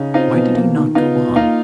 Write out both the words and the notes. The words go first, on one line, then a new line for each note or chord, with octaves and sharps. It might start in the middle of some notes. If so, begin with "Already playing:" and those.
Why did he not go on?
Already playing: C#3 C#4 D#4
C4 D#4 F4
B2
A#3
D#3
B3 D#4 F4
B2
A#3 D#4 F4